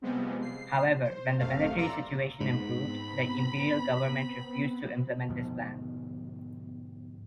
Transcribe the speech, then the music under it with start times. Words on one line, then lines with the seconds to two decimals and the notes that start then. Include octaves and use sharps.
However, when the military situation improved, the imperial government refused to implement this plan.
0.02 C3 F3 G3 G#3 B3 C4
0.42 C7
1.03 C5
1.38 A1 F#2 C3 A3 F5
1.75 G#1 D5 A#5 C6 E6
2.40 G#2 B3 C4 B5
5.29 D2 G#2 B2 F3